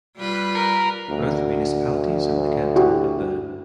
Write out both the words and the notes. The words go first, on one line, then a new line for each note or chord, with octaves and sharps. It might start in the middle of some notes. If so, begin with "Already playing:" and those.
Both municipalities are in the canton of Bern.
G3 F4 B4
A#4
D2
E4 F#4 G4